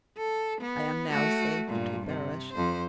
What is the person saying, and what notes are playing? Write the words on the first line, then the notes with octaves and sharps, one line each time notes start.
I am now safe to perish.
A4
B3
A3 F#4
G2 A#2
C3
F2 C5